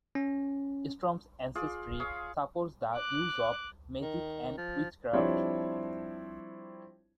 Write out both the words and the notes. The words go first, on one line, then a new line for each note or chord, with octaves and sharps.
Storm's ancestry supports the use of magic and witchcraft.
C#4
F4 G#4 D5
G#4 C#5 F5
D6 F#6
D#3
F3
F3 G3 C4 D4 E4 C#5